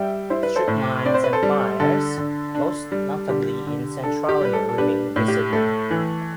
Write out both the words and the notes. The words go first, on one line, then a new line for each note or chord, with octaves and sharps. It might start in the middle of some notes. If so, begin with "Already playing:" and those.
Strip mines and fires, most notably in Centralia remain visible.
Already playing: G3 E5 G5
E4 C5
B4
A4 C5
A2
C4 D5
C5
B4
A4 C5
G3
D3 A4
D3
D4
G3
D3 G4
D3
D4 A4
G4
G3 B4
A4
A4
D4 G4 B4
A2
G4
A3 A4
E3